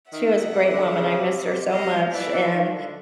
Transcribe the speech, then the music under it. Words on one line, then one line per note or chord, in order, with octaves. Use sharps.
she was a great woman, I miss her so much and,
D#3 E5 F#5
C3
D3
C#3
C3
C3
C3 D#5 F5
F3
E3 D5 E5
E3
D#3
D3